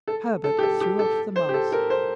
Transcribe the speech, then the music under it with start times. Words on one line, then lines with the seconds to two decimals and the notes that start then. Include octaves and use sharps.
Herbert threw off the mask.
0.08 A4
0.44 A4
0.58 G4
0.63 A4
0.81 G4
0.99 A4
1.36 C5
1.49 G4
1.54 A4
1.72 A#4
1.90 C5